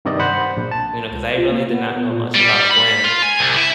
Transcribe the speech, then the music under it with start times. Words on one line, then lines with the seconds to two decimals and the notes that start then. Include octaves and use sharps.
you know, 'cause I really did not know much about Gwen,
0.05 G2 C3 D#3 D5 D#5
0.19 C5 F#5 B5
0.57 A#1
0.71 A5
1.09 C#2
1.37 F4
1.51 A#3
1.71 B3
2.09 A#2
2.35 G3
2.71 B5
3.04 F4
3.22 G#5
3.39 C2
3.56 E4